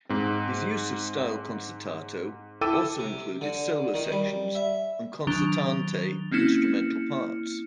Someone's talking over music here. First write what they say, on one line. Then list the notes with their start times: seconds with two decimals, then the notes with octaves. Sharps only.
His use of "stile concertato" also included solo sections and concertante instrumental parts.
0.09 G#2 C4
2.61 E4 A4 G5 D6 E6 D#7
2.99 C3
3.41 D3
3.94 D#3
4.12 G3
4.55 E5
5.27 D#3 F#3 D4 A6 F7 G7
6.31 A#3 C4 C#4 E4 F6 C#7